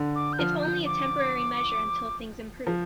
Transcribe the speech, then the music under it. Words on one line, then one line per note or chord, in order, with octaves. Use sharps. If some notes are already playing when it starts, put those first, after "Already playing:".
It's only a temporary measure until things improve.
Already playing: D3
D6
G6
F3 F6
G6
D6
F3